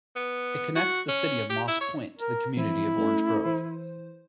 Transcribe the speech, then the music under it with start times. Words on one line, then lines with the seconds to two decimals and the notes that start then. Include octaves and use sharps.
It connects the city of Moss Point to the community of Orange Grove.
0.16 B3
0.76 F#4
1.08 C#4
1.50 G4
1.68 E4
1.81 C#5
2.19 A#4
2.57 E3 F3 C4 E4
2.98 A3 C#4 A4
3.45 E3 C5